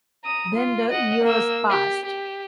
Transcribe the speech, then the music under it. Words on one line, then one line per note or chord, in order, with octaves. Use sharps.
Then the years passed.
A#5 D#6
F4
D#5 F#5
A#3 E6
G4
G4